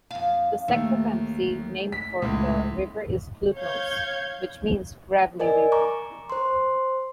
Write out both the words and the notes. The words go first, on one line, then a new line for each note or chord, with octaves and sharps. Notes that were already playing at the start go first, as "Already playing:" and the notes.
The Secwepemc name for the river is Kluhtows, which means "gravelly river".
F2 F5
D#2 A3
B6
C#2 A2
C#5 F5 G6 G#6
A#4 D5 D#5 G#5
A#5 C#6 D6
C5 C6